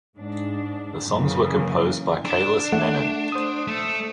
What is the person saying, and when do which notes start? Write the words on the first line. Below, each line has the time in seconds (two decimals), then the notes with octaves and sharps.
The songs were composed by Kailas Menon.
0.17 G#2 D4
1.07 F#2 C#3 E3 A#3
2.25 D4
2.72 A3 F#5
3.32 C5 D#6
3.67 A3